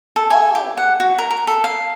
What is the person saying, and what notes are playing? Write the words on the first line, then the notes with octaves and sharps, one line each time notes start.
Oh, goodness!
A4
G#5
G4
F#5
F#4
A#4
A#4
A4
F5